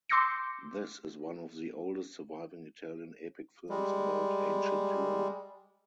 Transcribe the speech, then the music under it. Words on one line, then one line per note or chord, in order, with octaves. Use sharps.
This is one of the oldest surviving Italian epic films about Ancient Rome.
C6 D6 E6 G6 A#6 C#7
G3 G#3